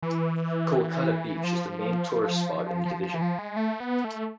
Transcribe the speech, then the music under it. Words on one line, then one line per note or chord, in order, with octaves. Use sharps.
Kuakata beach is the main tourist spot in the division.
E3
F3
F3
F3
E3
F3
G#3
A3
B3
A3